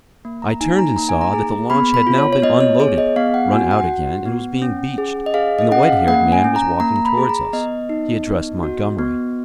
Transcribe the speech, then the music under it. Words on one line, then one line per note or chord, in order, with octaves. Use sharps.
I turned and saw that the launch had now been unloaded, run out again, and was being beached, and the white-haired man was walking towards us. He addressed Montgomery.
A#3
A#5
D#4 G#5
A#5
A#3 A#5
G#5
A#5
G#4
B3 B5
B5
F4
C#5
C#5
B3 D#5
C#5
G#4 C#5
D#5
B3 F5
F#5
F#4 G#5
F#5
F#4
B3
C#4
G#4
D#5
G#4 F5
D#5
C#4 F#5
F5
A#3 F#5
G#5
C#4
A#5
A#3 A#5
A#5
B5
G#4
A#5
B3 D#5
D#4
B3
F#4
B3